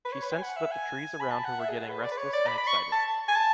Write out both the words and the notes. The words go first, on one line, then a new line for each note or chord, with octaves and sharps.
She sensed that the trees around her were getting restless and excited.
B4
C#5
B4
G#5
F#5
E5
G#5
B5
A5
F#5
E5
G#4
G#4
B4
D5
B4
C#5
D5
B5
B5
C#6
A5
G#5
A5